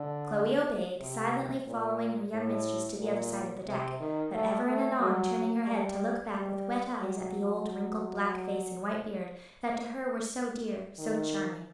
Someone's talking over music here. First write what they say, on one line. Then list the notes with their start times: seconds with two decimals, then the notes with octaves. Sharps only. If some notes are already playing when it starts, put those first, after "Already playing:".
Chloe obeyed, silently following her young mistress to the other side of the deck, but ever and anon turning her head to look back with wet eyes at the old wrinkled black face and white beard that to her were so dear, so charming.
Already playing: D3
1.00 C3
1.68 A#2
2.34 A2
3.00 A#2
3.67 C3
4.00 D#3
4.33 A3
4.66 A3
5.00 F#3
5.67 G3
6.32 G3
7.00 F#3
10.99 D#3